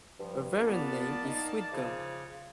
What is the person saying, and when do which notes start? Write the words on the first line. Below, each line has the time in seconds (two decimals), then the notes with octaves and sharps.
A variant name is "Sweetgum".
0.19 G2 F3
0.63 A#2 A#3 B3 D5 A5
1.25 D#4
1.72 C#3 F3